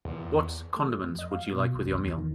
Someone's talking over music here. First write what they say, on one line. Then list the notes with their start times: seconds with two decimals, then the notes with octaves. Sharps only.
What condiments would you like with your meal?
0.05 E2
0.76 A3
0.99 F2
1.19 D#5
1.31 F5
1.53 B2
1.74 C2
1.89 E2
2.04 E2
2.18 D#3